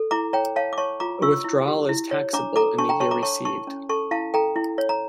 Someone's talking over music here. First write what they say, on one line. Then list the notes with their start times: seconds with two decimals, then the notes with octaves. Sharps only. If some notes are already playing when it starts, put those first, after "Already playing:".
A withdrawal is taxable in the year received.
Already playing: A4
0.11 E4 A#5 D6
0.33 C#5 G5 A#5
0.56 C#5 F5 A5
0.73 D6
0.78 C#5 A5 C#6
1.00 F4 A#5 D6
1.22 F4 C#6 E6
1.44 E4
1.68 G4
1.89 E4
2.11 C#5
2.33 D4 A#5 D6
2.56 A4 A#5 D6
2.78 D4 A5 C#6
2.89 G5 A#5
3.00 C#5 A5 C#6
3.11 A#5 D6
3.22 C#5 A5 C#6
3.45 E4 A5 C#6
3.67 C#4
3.89 A4 A5 C#6
4.11 E4 F5 A5
4.34 A4 G5 A#5
4.56 E4
4.78 C#5
4.89 A#5